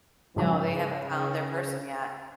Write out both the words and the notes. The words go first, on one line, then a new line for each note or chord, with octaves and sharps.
No, they haven't found their person yet.
G#2 C#3 F3 F#3